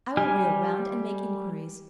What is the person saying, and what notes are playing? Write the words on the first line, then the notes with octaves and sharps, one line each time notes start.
I will reel round and make inquiries.'
G3 G4 G#5 F6